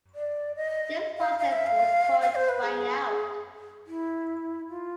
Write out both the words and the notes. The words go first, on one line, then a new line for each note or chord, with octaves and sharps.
This process was called "trying out".
D5
D#5
F5
F5
E5
F5
F5
C5
B4
G#4
E4
F4